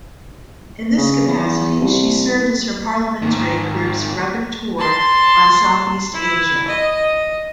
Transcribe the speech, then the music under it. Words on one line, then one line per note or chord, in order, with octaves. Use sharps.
In this capacity, she served as her parliamentary group's rapporteur on Southeast Asia.
C#3
E2
C2
G#2 D#3
A5 C6
E4
D#5